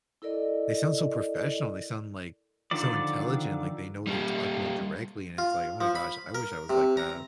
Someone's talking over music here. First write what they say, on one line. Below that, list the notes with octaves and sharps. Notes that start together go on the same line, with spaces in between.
"They sound so professional. They sound, like, so intelligent. Like, they know what they're talking about directly," and it's, "Oh my gosh. I wish I was like that."
E4 A4 A#4 D5 D#5
D3 D#3 F3 D5
G3 A#3
F4
F3
B5
A#4
C3
A#5